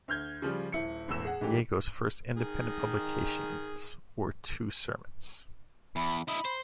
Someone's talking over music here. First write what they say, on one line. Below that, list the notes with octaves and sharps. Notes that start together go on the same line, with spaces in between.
Jago's first independent publications were two sermons.
D2 F6 G6 G#6
C#3 F3 G3
D#1 E4 C#7
E1 E2 A2 E6 E7
G#4 F#5
G#2 E3 G3 A3 G4
D#3 G#4
E2 B5
E4 D#5 B5
C5